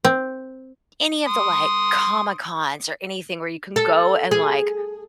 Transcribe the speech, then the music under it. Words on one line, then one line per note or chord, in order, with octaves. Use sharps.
any of the, like, Comic Cons, or anything where you can go, and, like,
C4
C6 D#6
A4
G#4